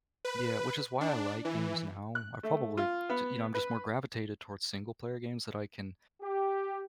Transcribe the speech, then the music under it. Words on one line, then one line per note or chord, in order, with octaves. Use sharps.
yeah, which is why I like games now. I probably, t you know, I'm, just, more gravitated towards single-player games that I can
B4
D4
E3
F#6
A3
F4
B3
B4
G4